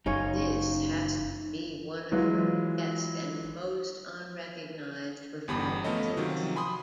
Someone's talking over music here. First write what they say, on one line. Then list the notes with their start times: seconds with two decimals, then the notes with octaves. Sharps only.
This has to be one of her best and most unrecognised performances.
0.06 F#1 C#4 D#4 F4 C#5
2.11 E3 F#3 G#3 E4 F4 B4
5.48 G1 E2 G3 B5
5.84 F3 A3 B3 C#4 A4 D#5
6.17 C3 D#3 F3 F#3
6.56 G#5 B5 C6 D#6